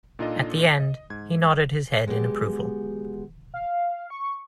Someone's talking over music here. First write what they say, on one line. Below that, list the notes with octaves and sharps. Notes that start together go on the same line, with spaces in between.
At the end he nodded his head in approval.
A#2 D4 D#4 F4 A4 D#5
D#5
G#2 G#6
F#3 G#3 B3 F#4 G4
F5
C#6